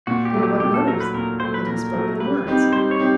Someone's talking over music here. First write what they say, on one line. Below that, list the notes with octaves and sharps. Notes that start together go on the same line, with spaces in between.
Under what motives had he spoken the words?
A#2 F#4
G4
F#3 A3
G4
A#2 G4
A4
F#3 A3 A#4
B4
A#2 A#4
F#3 A3 C5
B4
A#2 A#4
F#3 A3
G3 B4
C4 D#4 G4
G3 C5
C#5
C4 D#4 G4